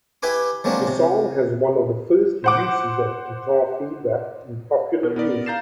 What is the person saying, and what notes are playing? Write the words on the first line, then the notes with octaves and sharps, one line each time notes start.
The song has one of the first uses of guitar feedback in popular music.
E4 G4 B4 G#5 D6
F3 F#3 G#3 A#3 C4 D4
C3
C5 F#5 D6
B2
B3 A#4 D5
F5 A#5 G6 A6 C7 E7